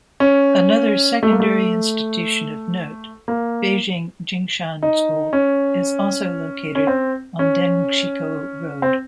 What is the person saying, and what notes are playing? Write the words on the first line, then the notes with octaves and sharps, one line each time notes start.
Another secondary institution of note, Beijing Jingshan School, is also located on Dengshikou Road.
C#4
A3
A#3
A3
A#3
D#4
C#4
C#4
C4
C#4
C4